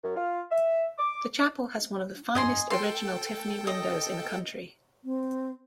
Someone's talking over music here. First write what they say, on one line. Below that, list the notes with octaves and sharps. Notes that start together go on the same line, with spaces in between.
The chapel has one of the finest original Tiffany windows in the country.
F#2
F4
E5
D6
G2 D#5 G#5 C6
A4 G5 C6
D#5
C4